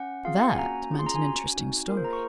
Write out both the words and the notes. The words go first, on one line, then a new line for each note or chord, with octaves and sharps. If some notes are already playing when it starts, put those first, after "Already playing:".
That meant an interesting story.
Already playing: C#4 F#5
C4 F4 G#4 F5
F#5
G#5
A#3 C#4 F#4 A#5
C#4 F4 G#4
C6
A#5
G#5
C#4 F#4
C4 D#4 F#4
A#3 F4 G#4 A#4
C5
A#5
C#6